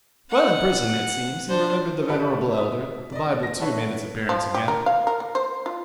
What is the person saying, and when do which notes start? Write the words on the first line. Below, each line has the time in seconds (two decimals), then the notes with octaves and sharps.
Well, in prison, it seems, he remembered the venerable elder; the Bible, too, made its appearance again.
0.30 F#5
1.49 D4 C5
2.08 G4 A4 B4 E5 F#5 B5
2.57 E5 D#6
3.12 D5 D#5
3.43 A#6
3.60 B4 C#5 E5 F#5 A5
4.29 F3
4.54 G4
4.68 A#4
4.86 F5
5.07 A#4
5.20 A#3
5.35 C5
5.66 F4